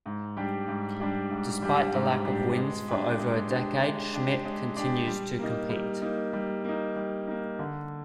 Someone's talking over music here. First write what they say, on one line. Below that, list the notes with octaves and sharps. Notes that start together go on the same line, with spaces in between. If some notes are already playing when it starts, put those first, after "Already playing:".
Despite the lack of wins for over a decade Schmitt continues to compete.
G#2
G3 D4 G4
G#2
G3 D4 G4
G#2
G3 D4 G4
G#2
G3 D4 G4
G#3
D4 G4
G#3
D4 G4
G#3
D4 G4
G#3
D4 G4
G3
A#3 D#4
G3
A#3 D#4
G3
A#3 D#4
G3
A#3 D#4
D3